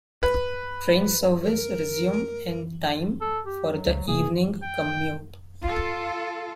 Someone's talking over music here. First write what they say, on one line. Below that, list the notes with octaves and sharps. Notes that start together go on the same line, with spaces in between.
Train service resumed in time for the evening commute.
B4
A#4
A4
G4
F#3
C#2
C3 A3 A#3 G#4
G5
F4 A4